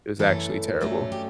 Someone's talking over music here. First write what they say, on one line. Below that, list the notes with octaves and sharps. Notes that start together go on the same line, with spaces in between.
It was actually terrible.
F#2 E3 A3 A4
G2 F#3 A3 C#4
G4